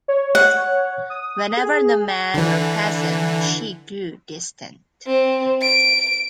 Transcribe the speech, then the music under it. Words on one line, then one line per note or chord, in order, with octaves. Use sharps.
Whenever the men were present she grew distant.
C#5
F#5
D#6
G#4
D3 E3
C4
D7